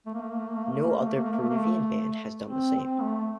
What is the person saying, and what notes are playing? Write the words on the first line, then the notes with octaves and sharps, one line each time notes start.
No other Peruvian band has done the same.
A3
A#3
A3
A#3
A3
A#3
A3
A#3
A3
A#3
A3
A#3
A3
A#3
A3
A#3
A3
A#3
A3
C4
C4
A3